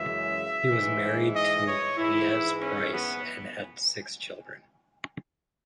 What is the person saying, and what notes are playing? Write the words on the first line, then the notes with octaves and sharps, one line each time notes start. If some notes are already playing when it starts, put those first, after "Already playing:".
He was married to Liese Price and had six children.
Already playing: F#2 C#3 E3 G#3 E5
G#2 E3 G#3
D#5
C#5
G#2 E3 G#3 E4
C#4
B3